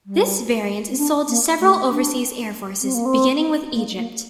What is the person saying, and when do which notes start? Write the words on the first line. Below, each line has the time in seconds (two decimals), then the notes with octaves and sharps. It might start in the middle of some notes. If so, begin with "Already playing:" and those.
This variant sold to several overseas air forces beginning with Egypt.
0.06 G3
0.91 C4
0.98 D4
1.28 A#3
1.60 A3
1.90 D4
2.82 C4
2.94 A#3
3.05 C4
3.74 A#3
3.97 A#3